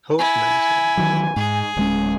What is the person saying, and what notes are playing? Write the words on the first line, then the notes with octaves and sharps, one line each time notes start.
Hope and understanding,
E4 G#5
D#3 E3 F#3
G#2 G#4
D1 G#3 C#4